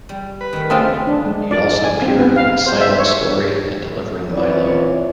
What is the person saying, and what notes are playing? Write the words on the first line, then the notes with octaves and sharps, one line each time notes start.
He also appeared in "Silent Story" and "Delivering Milo".
G3
B4
D#3 A3
C#3 G#3 A3 C4 C#4 F4
D4
G#3
D5
G#5
C4
B3
F5
C5
E5
C#5
E3 C4 C#4 F4 C#5 D5